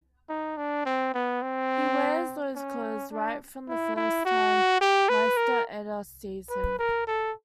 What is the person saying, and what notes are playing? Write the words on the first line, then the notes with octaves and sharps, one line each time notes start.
He wears those clothes right from the first time Meister Eder sees him.
D#4
D4
C4
B3
C4
C#4
D4
E4
E4
F#4
G4
B4
A#4
B4
A#4
A4